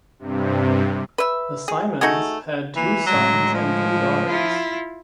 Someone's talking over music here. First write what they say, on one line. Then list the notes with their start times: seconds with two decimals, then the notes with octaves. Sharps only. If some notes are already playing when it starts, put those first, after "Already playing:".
The Simons had two sons and three daughters.
0.19 G2 C3
1.18 B4 E5
1.68 G#4
2.01 A3 D#4 F#4 G#4
2.76 E3 A#3
3.06 A2 F#3 G#3
3.54 F3
4.28 E4 F4